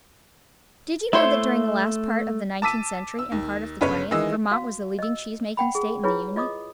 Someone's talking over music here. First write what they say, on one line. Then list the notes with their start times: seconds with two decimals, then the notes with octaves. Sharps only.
Did you know that during the last part of the nineteenth century and part of the twentieth, Vermont was the leading cheesemaking state in the Union?
1.13 A3 E4 C5 C#5 C6
2.62 A5 D6 E6 B6 D#7
3.19 E6
3.32 D#2
3.81 G1 C#3 B4 C#5
4.11 D#3 E3 G#3 D#5 E6
4.51 F#4 F5
4.99 D#5 E6
5.57 F#5 G5 B5
5.75 G#4
6.04 E4 F4 G#4 B4 C#5
6.36 F4 D#5 D6 D#6